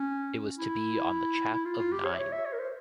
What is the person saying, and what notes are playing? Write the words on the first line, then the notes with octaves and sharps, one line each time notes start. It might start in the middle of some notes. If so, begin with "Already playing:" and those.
It was to be on the chap of nine.
Already playing: C#4
E4
E4
F4
F4
G4
C#5
E5
C#5
E5
C#5
A#4
C5